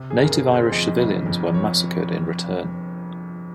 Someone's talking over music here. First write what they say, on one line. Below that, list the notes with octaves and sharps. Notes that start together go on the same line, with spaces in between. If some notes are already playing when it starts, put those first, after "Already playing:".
Native Irish civilians were massacred in return.
Already playing: C3
G#4
G1 A#4
G#4
G1
C5
F2 D#5
G1
F2
C#5